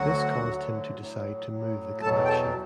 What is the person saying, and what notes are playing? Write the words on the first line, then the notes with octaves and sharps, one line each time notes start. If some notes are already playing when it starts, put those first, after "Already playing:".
This caused him to decide to move the collection.
Already playing: D2 D3 F#3 F#4 F#5
D2 D3 F#3
A2 F#3
A2 F#3
E2 B2 F#3 A4 A5
G5
A4 A5